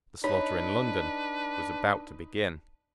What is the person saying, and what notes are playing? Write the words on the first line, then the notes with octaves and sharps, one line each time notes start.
The slaughter in London was about to begin.
D4 D#4 B4 C#5 B5